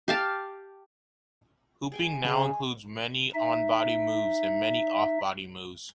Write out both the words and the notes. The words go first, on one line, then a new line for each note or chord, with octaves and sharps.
Hooping now includes many 'on body' moves and many 'off body' moves.
G4 F5 A5
G#4 G5 G#5
C#3 G#3 G#4
D#4 E5